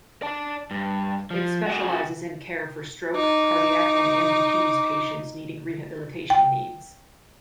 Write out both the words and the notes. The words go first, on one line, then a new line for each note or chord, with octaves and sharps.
It specializes in care for stroke, cardiac and amputees patients needing rehabilitation needs.
D5 A5
G2
F3
F#4 G#4
D#4 D6
G5